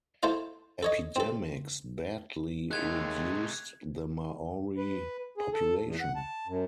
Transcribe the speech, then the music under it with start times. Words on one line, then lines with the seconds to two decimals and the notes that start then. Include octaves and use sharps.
Epidemics badly reduced the Maori population.
0.23 A3 E4 A4 C5 F5
0.83 A4 C#5 D#5
1.16 C4 A4
2.71 D#2 C3 G#3 A3 F#6 G#6 F7
4.77 B4
5.38 G#4
5.53 A4
5.84 E2
6.01 F#5
6.16 A5
6.47 F#2